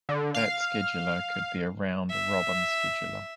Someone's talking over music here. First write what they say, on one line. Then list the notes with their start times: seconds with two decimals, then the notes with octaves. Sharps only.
That scheduler could be a Round-robin scheduler.
0.09 D3
0.34 F5
2.10 E5